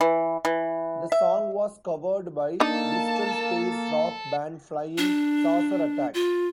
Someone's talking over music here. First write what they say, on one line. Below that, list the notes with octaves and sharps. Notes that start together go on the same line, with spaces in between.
The song was covered by Bristol space rock band Flying Saucer Attack.
E3
E3
E5
A#3 D4 D#4 A4 A5
D4
F4